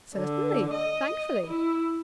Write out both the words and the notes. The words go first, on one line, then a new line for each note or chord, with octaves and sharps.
'Certainly; thankfully.
D3
D#5
E4